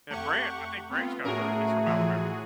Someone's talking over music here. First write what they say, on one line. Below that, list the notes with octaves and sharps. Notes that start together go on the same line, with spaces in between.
And Bran I think Branch got hurt. He's from Alabama.
F2 A3 G4 F#5 C#6
B3 C4 F4
A2 A3 C#4 F#4 G#4 A#4
E3